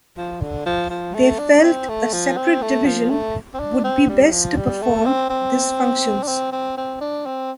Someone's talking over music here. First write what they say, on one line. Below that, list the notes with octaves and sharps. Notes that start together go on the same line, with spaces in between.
They felt a separate division would be best to perform these functions.
F3
D3
F3
F3
A3
D4
C4
A3
F3
C4
A3
F3
A3
C4
D4
C4
G3
F3
G3
A3
C4
C4
D4
C4
C4
C4
D4
C4